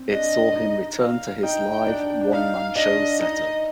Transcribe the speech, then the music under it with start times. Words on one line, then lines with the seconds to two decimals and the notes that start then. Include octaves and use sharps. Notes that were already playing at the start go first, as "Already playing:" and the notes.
It saw him return to his live one-man show set up.
Already playing: C4
0.11 D4 D#5
0.55 D#4
0.99 F5
1.43 D#4 G5
1.88 D4
2.21 D4
2.32 D#4 F5
2.75 D4 D#5
3.20 D#4 D#5